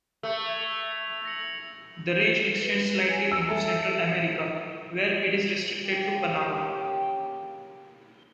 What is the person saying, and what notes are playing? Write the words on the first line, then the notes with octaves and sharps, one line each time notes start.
The range extends slightly into Central America, where it is restricted to Panama.
A3 E6
G#6 F7
A#6 C#7 F#7
B4
G#5
E6
A4 E5 A5
C#3 A#3 G4